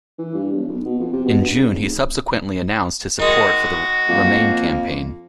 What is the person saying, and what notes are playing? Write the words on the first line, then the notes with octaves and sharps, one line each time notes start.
In June, he subsequently announced his support for the Remain campaign.
E3
G2
E1
B1
B2
F2
C3
B2
G2
C#3
F1
D#3 G#3 F#4
F2 A#3